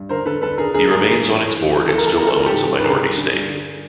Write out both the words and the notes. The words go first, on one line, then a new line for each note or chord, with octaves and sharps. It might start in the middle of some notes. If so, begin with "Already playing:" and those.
He remains on its board and still owns a minority stake.
Already playing: G2
D3 A#4 C5
D3 A4 B4
D3 A4 B4
D3 G#4 A#4
D3 G#4 A#4
G2 G#4 A#4
E3
G2
E3
E3
E3
E3 A4
A#4
E3 A4
E3 A#4
A4
E3 A#4
G4 A4
G#2
G#2
B4
D3 G#4 A#4
G2
D3
G2
D3